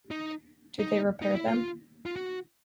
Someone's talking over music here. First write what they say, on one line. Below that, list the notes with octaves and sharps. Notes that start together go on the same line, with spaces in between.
Do they repair them?
D#4
D#4
D#4
E4
F4
F4
F#4